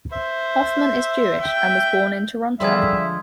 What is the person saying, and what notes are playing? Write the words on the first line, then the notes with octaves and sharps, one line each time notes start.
Hoffman is Jewish, and was born in Toronto.
C5 E5
G5
D3 F3 G3 G#3 E5 C6 D#6 G#6